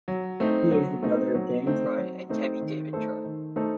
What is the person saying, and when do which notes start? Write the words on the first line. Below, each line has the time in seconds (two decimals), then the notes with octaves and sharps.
He is the brother of Dan Troy and Tevi David Troy.
0.08 F#3
0.40 A3 C4 D#4
0.71 F#3
1.03 A3 C4 D#4
1.35 F#3
1.66 A3 C4 D#4
1.98 F#3
2.29 A3 C4 D#4
2.61 D#3
2.93 A3 D#4 A4 C5
3.24 D#3
3.56 A3 D#4 A4 C5